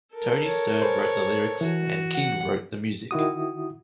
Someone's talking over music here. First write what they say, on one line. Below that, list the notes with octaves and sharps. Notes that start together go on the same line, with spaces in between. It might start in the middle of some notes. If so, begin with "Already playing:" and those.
Toni Stern wrote the lyrics and King wrote the music.
A4 A#4
C#5
G#4 B4 C5
E3 F#4
F#5
D#3 E4 F#4 D#6